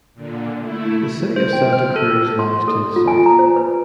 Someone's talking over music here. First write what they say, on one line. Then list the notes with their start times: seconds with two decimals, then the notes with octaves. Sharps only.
The city of Santa Cruz lies to the south.
0.14 A#2 D3
0.60 A3 E4
1.36 C5
1.53 G5
1.73 F6
1.96 A4
2.39 C6
2.68 A4
2.96 F4
3.08 G#5
3.26 A#5
3.39 C5
3.56 B4